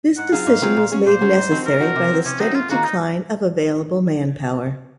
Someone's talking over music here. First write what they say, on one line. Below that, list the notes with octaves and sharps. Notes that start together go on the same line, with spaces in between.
This decision was made necessary by the steady decline of available manpower.
G#2 F#5
F#3 C4 F4 G#4 F5
G#2
F#3 C4 F4 G#4
A#2
F#3 C#4 G#4
A#2 C5
F#3 C#4 G#4
G#2
F3 C4 D#4 F#4
G#2 A#4
F3 C4 D#4 F#4
C3
F#3 C4
C3 C#4
F#3 C4 D#4
F#2 F4
D#3 A#3 F4 F#4 G#4
D#4